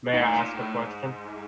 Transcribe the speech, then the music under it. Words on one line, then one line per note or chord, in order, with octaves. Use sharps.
May I ask a question?
A2 D#4
A#2
A2
G#2